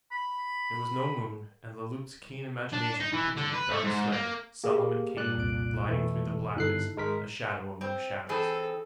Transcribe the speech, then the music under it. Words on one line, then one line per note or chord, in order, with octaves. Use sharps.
There was no moon, and Le Loup's keen imagination pictured the dark slayer, Solomon Kane, gliding through the blackness, a shadow among shadows.
B5
D4
D#4
E3
D3
B4
A3
G#2
A#3
A#3 G4 G#4
A#2 D5 F#6
C2 F2 D7
F2 B2 E3 A3
G1 D#4 E4 A4 F#6 C7
G#1 G#3 A#4 B6
C4
E3 C4 G#4 A4